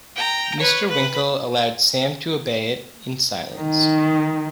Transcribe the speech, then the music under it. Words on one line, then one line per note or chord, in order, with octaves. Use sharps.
Mr. Winkle allowed Sam to obey it, in silence.
G5 A#5
B4 C#5
B4 B5
D#3